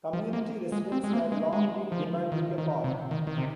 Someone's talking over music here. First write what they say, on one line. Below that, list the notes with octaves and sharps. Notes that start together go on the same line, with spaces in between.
Community residents had long been demanding a park.
F3
A#3
G#3
C4
G#3
A#3
G#3
G#3
F3
D#3
D#3
C3
D#3
D#3
C3